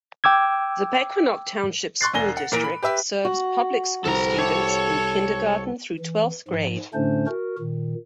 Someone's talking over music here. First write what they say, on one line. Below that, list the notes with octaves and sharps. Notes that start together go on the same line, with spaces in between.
The Pequannock Township School District serves public school students in kindergarten through twelfth grade.
G5 D6 E6 G#6
C6 C#6 F#6 A6 C7
E1 D4 G#5 A#6 G7
F#5
A#2 E3 A#4 A#5 D7
B5
G4 B4 E5
F#4
C2 A4 A#5
G4 A4 C#5 E5
E3
G#2 F3
A2 D3 A3 C#4 D4 C5
F#4 A#4
A#2 D#3